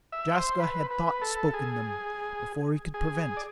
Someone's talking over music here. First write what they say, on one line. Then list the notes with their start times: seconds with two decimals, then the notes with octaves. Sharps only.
Jaska had thought-spoken them, before he could prevent.
0.12 E5
0.35 C5
0.59 B4
0.91 B4
1.22 A4
1.54 G#4
2.94 G#4
3.37 D5